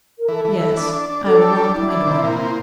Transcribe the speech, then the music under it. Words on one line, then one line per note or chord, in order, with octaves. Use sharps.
'Yes, I will lock my door.'
A#4
E3 A4
E3
E3
D4
D4
D4
D4 A4
G3
D4
D4 E4
D4
C3
A#2
C4